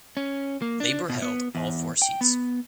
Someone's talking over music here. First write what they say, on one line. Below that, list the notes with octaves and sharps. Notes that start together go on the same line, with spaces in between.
Labour held all four seats.
C#4
A#3
D4
B2
B3
E2
G5
B3